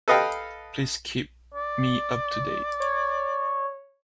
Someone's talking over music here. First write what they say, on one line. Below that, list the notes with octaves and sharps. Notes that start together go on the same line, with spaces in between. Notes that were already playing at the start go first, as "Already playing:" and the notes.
Please keep me up-to-date.
A4 B4 D#5 F5 G5
D5
C#5